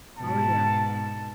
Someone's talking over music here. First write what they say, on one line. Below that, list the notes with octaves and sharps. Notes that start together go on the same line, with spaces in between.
Oh, yeah.
G#2 B2 A5